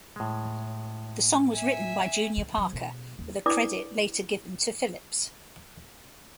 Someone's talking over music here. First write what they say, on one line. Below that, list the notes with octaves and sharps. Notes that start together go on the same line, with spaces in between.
The song was written by Junior Parker, with a credit later given to Phillips.
A2 G#3
E5 G#5
D#3
F#3
B2
D#2
D4 E4 B4 D5 D6 D#6